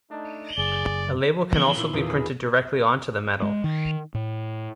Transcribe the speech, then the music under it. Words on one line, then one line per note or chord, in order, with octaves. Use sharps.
A label can also be printed directly onto the metal.
A3 D4 D#4
F#1 G#4 D5
E3 F3 B3 F4
D#4 C#5 C6
A#2 E4 E6
E2 A#2 D#3 F4 D#6
G#4 B5
G#3
D#3
A2